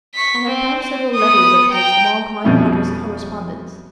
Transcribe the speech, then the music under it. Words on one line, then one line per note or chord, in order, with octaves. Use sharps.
I have found several letters of his among my father's correspondence.
C#6 B6
C4
C4
B3 D#6
G5 A#5
F2 B2 G3 C#4 E4